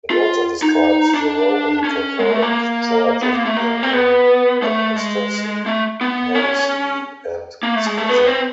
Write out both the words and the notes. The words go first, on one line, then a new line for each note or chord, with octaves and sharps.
It also describes the Roman Catholic Church as being in apostasy, heresy, and schism.
F4
D#4
D4
C#4
G#3
A3
A#3
B3
A#3
A3
A#3
C4
B3
A3
G#3
A3
B3
C#4
A#3
A3
G#3
A3
B3
C4